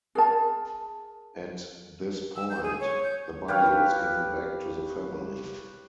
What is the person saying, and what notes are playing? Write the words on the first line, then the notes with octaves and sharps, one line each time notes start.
At this point, the body was given back to the family.
G#4 A#4 A5
E6
G6
G#4
C#5
G6
G4 B4 C#5 F5